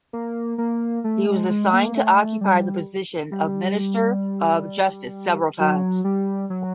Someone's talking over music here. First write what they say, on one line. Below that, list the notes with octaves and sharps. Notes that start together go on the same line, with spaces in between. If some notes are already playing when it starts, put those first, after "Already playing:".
He was assigned to occupy the position of Minister of Justice several times.
A#3
A#3
A3
G#3
G#3
A#3
A3
G3
G3
F#3
G3
F#3